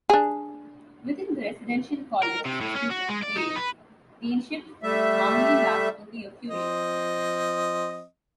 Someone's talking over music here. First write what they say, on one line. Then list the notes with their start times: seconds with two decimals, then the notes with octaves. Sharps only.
Within the Residential College system at Yale, deanships normally last only a few years.
0.10 D4 G#4
2.23 A#4
2.45 C3
2.61 A2
2.75 C#4
2.90 F#4
3.09 G#3
3.22 D5
3.36 D#4
3.55 B4
4.83 G3 A3 E5
6.48 F3 C4 D#5